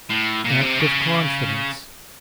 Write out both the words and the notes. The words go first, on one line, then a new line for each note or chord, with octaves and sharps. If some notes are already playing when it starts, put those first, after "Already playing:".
Act of Confidence.
A2
A#2
C3
C#3